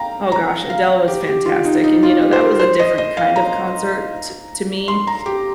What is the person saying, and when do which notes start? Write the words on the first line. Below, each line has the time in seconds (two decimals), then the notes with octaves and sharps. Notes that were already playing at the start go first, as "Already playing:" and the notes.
oh gosh, Adele was fantastic, and you know, that was a different kind of concert to to me.
Already playing: F5 G5 A#5
0.32 A#5
0.70 F5
1.08 G4
1.27 G4
1.46 F4
1.65 D#4
1.84 D#4
2.03 F4
2.22 G4
2.32 C5
2.41 A#4
2.59 C5
2.79 D#5
2.98 D#5
3.17 F5
3.36 A#5
4.88 C6
5.07 A#5
5.26 G4